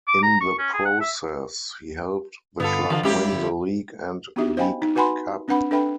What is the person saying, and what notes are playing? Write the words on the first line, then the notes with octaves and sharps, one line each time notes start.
In the process he helped the club win the League and League Cup.
D6
A#5
C#6
C#4
G#4
F#5
E5
G2 D3 B3 F4 A4
D3 E3 F4
F#2 G#3 C4 E4 G4 A4
G#3
D3 G3
B3 D4 D#4 F#4 G4 E5
C5 D#5 F5 G5 G#5 B5
D#4
F#4 B4 F#5 G#5 B5 C6
C4 D4 B4 F#5 B5
D4 A4 B4 E5 G5 B5